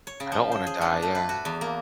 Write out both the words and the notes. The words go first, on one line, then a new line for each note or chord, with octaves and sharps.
I don't wanna die yeah.
C#5
C#3
F3
C5
G#4
D4
A3
B4
F#4
E2
A#3